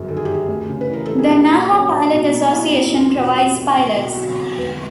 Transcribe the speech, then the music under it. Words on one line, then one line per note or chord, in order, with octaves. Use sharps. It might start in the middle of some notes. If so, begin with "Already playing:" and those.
The "Naha Pilot Association" provides pilots.
Already playing: G1 F#2 G#4
D#3 A4
G#4
G3 G4
G#4
D2
C#3
B4
E3 A#4
G3 A4
G#4
A#1 G4
A#2
F#3 C#4
A#1
B1
B2 D#4
G3 E4
B1 E4
E4
E2 F4
B2
G3
E2
C2
B2
F#3
C2
E1 B4